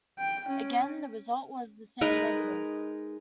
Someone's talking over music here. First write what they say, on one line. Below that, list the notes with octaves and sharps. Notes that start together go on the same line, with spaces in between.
Again, the result was the same-negative.
G5
C#4
G#3 D#4 A#4 B4